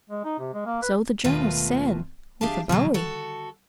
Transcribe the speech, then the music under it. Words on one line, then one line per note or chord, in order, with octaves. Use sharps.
"So the journals said; with a bowie!"
G#3
D#4
C3
G#3
A#3
B4
D#2 B2 A3 A#3 F4 B4
D4 G4 G#4 E5 F5 A5
B2 D3 F#3 G3
F#4 A4